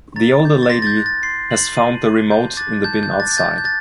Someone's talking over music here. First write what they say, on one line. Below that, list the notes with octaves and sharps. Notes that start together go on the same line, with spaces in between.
The older lady has found the remote in the bin outside.
A#5 A6
D6 G6
A6
C6 A#6
A6
G6
F#6
A6
C6 C7
F#6 F#7
A5 D#7
D6 F#6
A5 G6
D6 F#6 A6
A5 G6
G6
D6 F#6
A6
A6
A5 G6
G6
F#6 A6